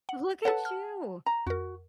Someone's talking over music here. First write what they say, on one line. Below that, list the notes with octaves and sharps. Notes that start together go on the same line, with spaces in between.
look at you.
F#5
A4 B4 C#5 F#5 A5
F6
A#5
F2 F#4 A#4